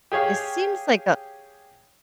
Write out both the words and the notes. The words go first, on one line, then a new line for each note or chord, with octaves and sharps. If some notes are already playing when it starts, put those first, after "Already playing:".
It seems like a
G4 G#4 C#5 F5